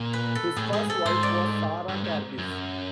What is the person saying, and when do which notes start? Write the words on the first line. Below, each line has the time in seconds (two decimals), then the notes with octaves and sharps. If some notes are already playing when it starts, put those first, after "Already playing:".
His first wife was Sarah Carbis.
Already playing: A#2
0.13 B4
0.35 A4
0.56 A2 G#4
0.73 G#2 G#4
0.90 A4
1.06 G#2 C5
1.23 D5
1.89 G2
2.04 G#2
2.38 F#2